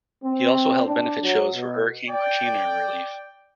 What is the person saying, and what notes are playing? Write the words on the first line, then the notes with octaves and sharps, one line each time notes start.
He also held benefit shows for Hurricane Katrina relief.
C4
D4
F#3
B2
D5 G5